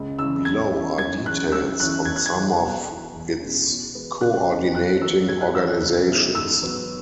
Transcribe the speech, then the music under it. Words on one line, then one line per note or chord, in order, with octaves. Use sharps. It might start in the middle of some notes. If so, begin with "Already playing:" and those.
Below are details on some of its coordinating organizations.
Already playing: C#2
C#3 E3 G#3 E6
E2 G#6
E3 C#4 E4
F#2 G#6
E3 G#3 C#4 F#6
F#2 E6
E3 C#4 E4 F#6
E2 G#6
F#6
G#6
E3 G#3
B2
B3 E4
E2
B2 G#3 C#4
B2
G#3 B3
C#3 F#6
G#3 C#4 E4
B2 F#6
F#3 B3 E4 E6
G#2 G#6
F#6
E3 G#3 E4 E6
F#6
C#2
B2 G#3 E4
G#2 E6
F#3 B3